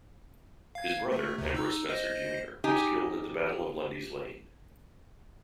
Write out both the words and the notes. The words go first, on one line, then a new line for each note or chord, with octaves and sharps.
His brother, Ambrose Spencer, Junior was killed at the Battle of Lundy's Lane.
F5 G#6
A3
D2 C3
D#4 E6
C5 D#5
D#4 G4 G#5